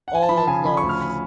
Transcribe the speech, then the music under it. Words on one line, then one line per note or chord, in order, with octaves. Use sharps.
all love
F#5
G#5
A5
F3 B5
A5
C#3 G#5
F3 B5
C#6
D2
F6
B5